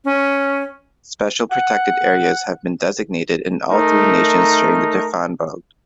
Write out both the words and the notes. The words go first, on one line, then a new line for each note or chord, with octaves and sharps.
Special protected areas have been designated in all three nations sharing the Tavan Bogd.
C#4
F#5
A3 D#4 A#4